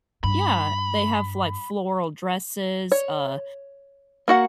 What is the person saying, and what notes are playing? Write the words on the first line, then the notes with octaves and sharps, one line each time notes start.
Yeah. They have, like, floral dresses, uh,
G2 B5
C#5
A#3 F#4 F#5